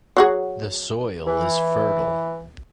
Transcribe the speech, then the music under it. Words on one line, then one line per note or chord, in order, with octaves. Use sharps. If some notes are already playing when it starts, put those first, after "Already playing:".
The soil is fertile.
F#3 F#4 G#4
E3